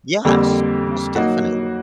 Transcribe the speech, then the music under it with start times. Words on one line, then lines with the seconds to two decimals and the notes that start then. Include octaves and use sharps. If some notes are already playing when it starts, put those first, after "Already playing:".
Yes, most definitely.
0.25 F2 D3 G3 A#3
1.16 F#3 A#3 D#4 F#4